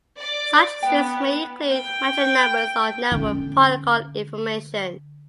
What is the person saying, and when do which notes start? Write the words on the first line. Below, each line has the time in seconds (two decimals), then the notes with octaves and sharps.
Such strings may include magic numbers or network protocol information.
0.18 D5
0.83 B3 G5
1.71 G5
3.12 D3 C#4